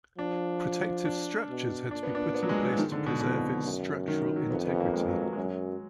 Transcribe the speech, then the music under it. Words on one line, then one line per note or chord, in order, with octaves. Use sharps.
Protective structures had to be put in place to preserve its structural integrity.
F3 D4
D4
B2
A#2 D4
B3
D4
B3
F#3
G#3
F#3
F3
G#2 D#3
D3
B2
F2 B2
F#2
D#3
D#3
F#3
F2 B3
B3
A#3
G#3
F#3
F#3
F#2 G#3
F#3